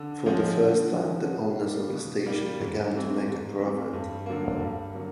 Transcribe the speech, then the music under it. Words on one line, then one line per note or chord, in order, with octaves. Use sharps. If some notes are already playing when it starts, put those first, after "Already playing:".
For the first time, the owners of the station began to make a profit.
Already playing: D3
F3 G#3 C#4 F#4
D3
F3 G#3 C#4 F#4
B2
G3 A#3
B2
G3 A#3
G#2
E3 A3 C4
G#2
E3 A3 C4
G2
D3 F#3 A#3
G2
D3 F#3 A#3